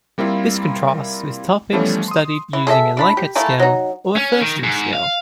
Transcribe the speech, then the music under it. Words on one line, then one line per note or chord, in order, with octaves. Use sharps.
This contrasts with topics studied using a Likert scale or a Thurstone scale.
G3 A#3 C4 E4 F4
E3 F3 G3 A3 B3 C#4
C6 D#6
E3
G#4 A4 D#5 E5
E3 D4 B5
G4
E3 A3 A#3 G#5
F#3 D#4
C#4
D#3
G#2
F5